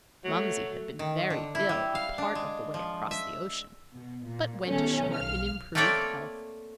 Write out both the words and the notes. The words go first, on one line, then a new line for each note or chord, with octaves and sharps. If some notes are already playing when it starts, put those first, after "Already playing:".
Momsey had been very ill a part of the way across the ocean, but went ashore in improved health.
F#3 A3
D#3
D3
E4
G3
F5
D4
G#3
F3
E5
B2
A#2
B2 D#3 F#3 G3 A3 C#4
B1 F5 F6
A3 A#3 C4 A4 C#5 D5